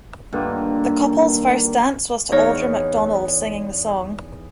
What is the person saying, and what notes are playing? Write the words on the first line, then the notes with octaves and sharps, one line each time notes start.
The couple's first dance was to Audra McDonald singing the song.
G2 A#2 D3 D#3
E2 D#4 C#5 F5 A#5